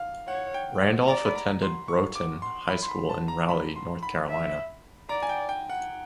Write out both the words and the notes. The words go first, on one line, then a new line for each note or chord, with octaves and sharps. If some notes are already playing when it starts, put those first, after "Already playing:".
Randolph attended Broughton High School in Raleigh, North Carolina.
Already playing: F5
C#5 F#5
G5
D5 A#5
B5
A#5
C6
C#6
D6
C6
B5
C6
B5
A5
A#5
B5
C6
B5
E5
D5 A#5
G#5
G5
G5
F#5